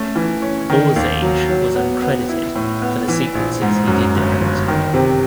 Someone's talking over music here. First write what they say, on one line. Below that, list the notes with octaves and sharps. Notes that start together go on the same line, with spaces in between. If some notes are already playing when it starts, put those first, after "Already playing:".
Borzage was uncredited for the sequences he did direct.
Already playing: A3 C#4
E3
C#4
D#3
D#2
F#3
F#3
B3
B3
E4
A2
B3
E3
A#1
G#2
F#2
G1
G1
D#3
C3